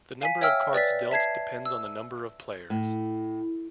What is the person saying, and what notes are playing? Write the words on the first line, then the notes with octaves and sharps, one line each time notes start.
The number of cards dealt depends on the number of players.
F5 G#5 B6
C#5 E5 G5 E6 F6
B4 D5 A6 B6
E5 A5 G#6 C7
E6
A2